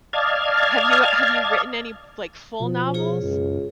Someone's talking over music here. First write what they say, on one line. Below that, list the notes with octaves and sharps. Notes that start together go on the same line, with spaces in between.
have you have you written any f like full novels?
D5 D#5 F5 A5 F6 G#6
B2 F3
F4 G#4 C#5
C#2 F#2